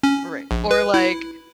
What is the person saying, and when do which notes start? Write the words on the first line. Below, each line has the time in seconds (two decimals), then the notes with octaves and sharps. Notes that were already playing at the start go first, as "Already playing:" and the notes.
Right. Or, like,
0.03 C#4
0.51 A#1
0.71 B4
0.94 E4